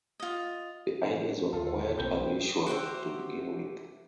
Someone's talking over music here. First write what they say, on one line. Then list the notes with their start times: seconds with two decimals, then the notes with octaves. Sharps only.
The ideas were quite unusual, to begin with.
0.20 F4 D#5
1.53 D#2 D3 F4 A4 E5
1.98 B1 A#3 C4 B5 G6
2.66 F#4 G4 C5 E5